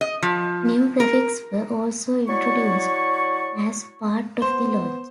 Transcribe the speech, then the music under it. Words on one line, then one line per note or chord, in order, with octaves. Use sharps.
New graphics were also introduced, as part of the launch.
D#5
F3
A#4
F#3 E4 D5 C#6
B3 C5 C6